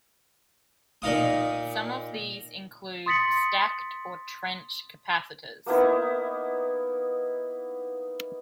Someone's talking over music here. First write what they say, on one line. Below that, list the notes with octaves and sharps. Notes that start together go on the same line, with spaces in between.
Some of these include stacked or trench capacitors.
A#2 D#4 F5 D#6
C6 D#6 A6 B6 C#7 F#7
A#3 B3 D#4 E4